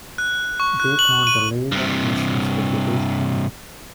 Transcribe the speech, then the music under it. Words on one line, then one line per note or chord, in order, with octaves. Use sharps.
They thought the League of Nations would be too strong.
F#6
C#6
F#6
F#7
D#7
G2 C3